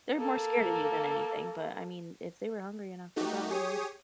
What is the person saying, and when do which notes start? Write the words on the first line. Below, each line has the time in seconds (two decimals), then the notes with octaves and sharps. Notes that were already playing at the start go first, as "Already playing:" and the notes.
They're more scared of you than anything, but I mean, if they were hungry enough, they probably would.
0.17 A#3 A4
3.16 A3 D#4 F#4 G4
3.50 G4 G#4 C#5 D#6